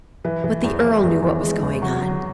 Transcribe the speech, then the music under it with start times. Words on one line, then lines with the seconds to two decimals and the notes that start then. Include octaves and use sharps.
But the earl knew what was going on.
0.24 E3 B4
0.44 E3
0.64 E2
0.84 E3
1.03 E2
1.22 E2
1.43 G#3
1.62 E2
1.82 F#3 F#4
2.02 F#3